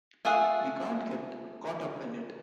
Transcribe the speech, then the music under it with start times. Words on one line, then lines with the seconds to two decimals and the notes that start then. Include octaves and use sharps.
We can't get caught up in it.
0.25 A3 F4 G#4 E5 F#5